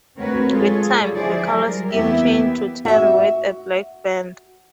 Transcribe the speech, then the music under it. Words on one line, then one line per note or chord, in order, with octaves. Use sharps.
With time, the colour scheme changed to tan with a black band.
D2 C4 F#4 A#4 B4 C#5
F#3 G#3 F4 G#4 A4 C#5
D3 F3 E4 G#4 C5 D5
F#3 G3 A#4
E2 A#3 B3 E4 G4 E5
F#4 E5